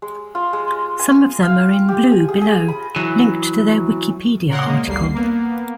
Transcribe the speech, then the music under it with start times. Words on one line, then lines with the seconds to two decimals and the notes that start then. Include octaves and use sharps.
Some of them are in blue below, linked to their Wikipedia article.
0.02 G#3
0.35 F4
0.53 G#3
0.99 G#5
1.43 F5
1.89 G4
2.12 G#5
2.29 G#4
2.42 G#4
2.68 B5
2.96 E3 F#3
4.48 A#2 C#3 A#4 C#5 F#5 C6
4.66 G#3 A#3
4.85 A1 D2 D3 G3 A#3 C7
5.14 A#3 B3